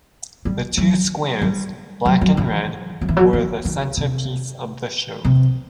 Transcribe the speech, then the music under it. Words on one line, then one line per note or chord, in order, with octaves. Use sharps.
The two squares, Black and Red, were the centerpiece of the show.
G3
F#3
G3
F#3
F#3
E3
F#3
E3
F#3
E3
D#3
C3
C3